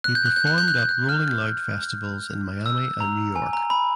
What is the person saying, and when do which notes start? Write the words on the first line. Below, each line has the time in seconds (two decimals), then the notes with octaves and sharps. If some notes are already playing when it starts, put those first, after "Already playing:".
He performed at Rolling Loud Festivals in Miami and New York.
0.04 F#6
0.15 G6
0.26 F#6
0.36 G6
0.47 F#6
0.58 G6
0.68 F#6
0.79 G6
0.89 F#6
1.09 F6
2.66 E6
3.00 A#5
3.36 G#5
3.53 A#5
3.70 B5